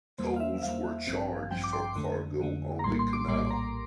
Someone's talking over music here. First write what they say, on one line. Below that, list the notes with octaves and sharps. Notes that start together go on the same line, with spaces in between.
Tolls were charged for cargo on the canal.
E2 E3 G3 A#3 C5
F5
E5
E5
E2 E3 G3 A#3 F5
A1 G2 F3 C4
A1 G2 F3 C4 G5
D6
C6
F2 D3 A3
F2 D3 A3
A#5
A#1 A2 G3 A#3 C6
C6
D6
A#1 A2 G3 A#3 C6
A#5